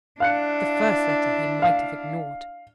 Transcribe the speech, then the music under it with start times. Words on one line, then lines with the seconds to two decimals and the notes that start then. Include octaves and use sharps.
The first letter he might have ignored.
0.20 D4 E4 F5 F#6 C#7
1.62 F5